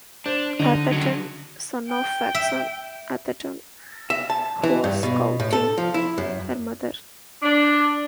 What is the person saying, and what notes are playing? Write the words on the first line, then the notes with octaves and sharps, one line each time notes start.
Atherton, son of Faxon Atherton, who was courting her mother.
D4 C5
D3 D#4
C#3 F#3
G5
E5
E5
A5
E3
G2
B2
A2
A4
F3
E4
F#2
D4